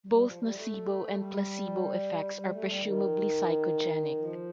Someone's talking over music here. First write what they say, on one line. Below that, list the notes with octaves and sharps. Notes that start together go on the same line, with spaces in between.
Both nocebo and placebo effects are presumably psychogenic.
G3
F3
G3
A3
G3
G3
A3
G3
D#3
F3